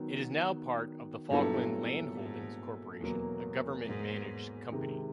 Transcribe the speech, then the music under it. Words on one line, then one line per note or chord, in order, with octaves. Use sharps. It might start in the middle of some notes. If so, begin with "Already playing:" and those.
It is now part of the Falkland Landholdings Corporation, a government-managed company.
Already playing: D#3 F#3 B3
G2 A#2 F#3 B3 E4 A4
G#2
E2 B2 F#3 A#3
G#2
C3 D#3 G#3